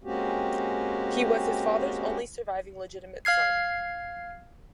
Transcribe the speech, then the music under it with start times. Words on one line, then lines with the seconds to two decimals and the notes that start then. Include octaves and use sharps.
He was his father's only surviving legitimate son.
0.04 G#3 A#3 C4 C#4 F#4 G4
3.25 F5 F6 G#6 C7